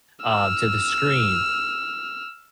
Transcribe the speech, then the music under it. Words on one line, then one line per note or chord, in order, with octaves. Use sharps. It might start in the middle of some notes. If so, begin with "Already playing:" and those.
uh, to the screen,
E6 F6